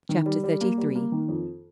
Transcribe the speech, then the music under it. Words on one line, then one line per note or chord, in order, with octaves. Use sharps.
Chapter XXXIII.
D#3
G3
G3
A#3
G3
A#3
D#3
F2